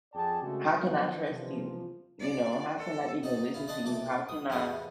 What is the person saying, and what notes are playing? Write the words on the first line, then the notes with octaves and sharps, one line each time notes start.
"How can I trust you?" You know, "How can I even listen to you? How can I
F2 G#4 D5 G5 A5
C#3 G#3 A3 C4 D4 F#4
D2 B2 D#3 F3 F#3
C3 E3 F3
D5
A4
D#4 F#4 D#5 A5
C#3 E4 F4
D5 D#5 F#5 A5 C6
B1 C3 A3 A5 D6
D#6
E2 A2 C3 F4 D#6